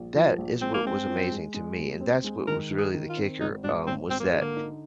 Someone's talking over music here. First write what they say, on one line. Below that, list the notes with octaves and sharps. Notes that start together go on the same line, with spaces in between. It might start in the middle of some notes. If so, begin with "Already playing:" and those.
that is what was amazing to me, and that's what was really the kicker, um, was that
Already playing: A#1
F3
A#1
G#3 C4
A#3
G#3 C4
F3
G#3
G#3
D#2
C4
G#3
D#3 A#4
D#3
G#4
D#3
F4
C4
G#1 D#4
G#1 D4
G#1 C4
G#1 C4
A#3
D3 G#3
A#3
D#4